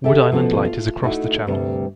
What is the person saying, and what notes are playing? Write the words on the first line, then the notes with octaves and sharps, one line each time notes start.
Wood Island Light is across the channel.
G4 A4 E5
D2 B2 F3 C#4 F#4 A4
F4
A3 D#4 E4 F#4
D2 G2 C3 G3